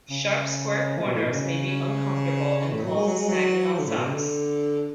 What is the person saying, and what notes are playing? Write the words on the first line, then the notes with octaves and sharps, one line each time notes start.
Sharp square corners may be uncomfortable and cause snagging on socks.
C#3
F3
B2
A2
B2
C#3
C#3
A2
F#3
G#3
F#3
G#3
F#3
F3
D3
A2
B2
C#3
D3